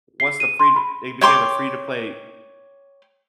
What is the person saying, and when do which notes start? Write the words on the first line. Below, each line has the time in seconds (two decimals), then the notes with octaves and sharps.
once the free it became a free-to-play
0.20 C7
0.40 D#7
0.59 C6
0.76 B5
1.21 C#5 G5 C6 D6